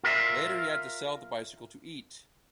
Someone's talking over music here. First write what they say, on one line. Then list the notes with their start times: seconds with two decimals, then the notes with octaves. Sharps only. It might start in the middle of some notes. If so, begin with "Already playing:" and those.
Later he had to sell the bicycle to eat.
0.04 F4 A#4 E5